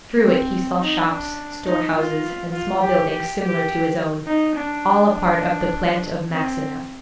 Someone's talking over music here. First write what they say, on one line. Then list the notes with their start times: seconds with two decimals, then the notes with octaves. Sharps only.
Through it he saw shops, store-houses, and small buildings similar to his own, all a part of the plant of Maxineff.
0.21 C4
0.80 D#4
1.09 D4
1.65 D#4
1.95 F4
2.53 F4
2.82 G4
3.10 G4
3.40 G4
4.26 D#4
4.55 D4
5.13 D4
6.30 C4